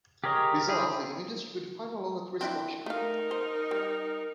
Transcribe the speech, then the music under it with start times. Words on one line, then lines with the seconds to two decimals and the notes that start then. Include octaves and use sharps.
This allows the images to be defined along a tree structure.
0.24 G4 G#4 A#4 C#5 D#5
0.69 E4 G4 G#4
2.41 C4 D4 E4
2.86 A3 D#4 A#4 F5
3.31 C5
3.71 G3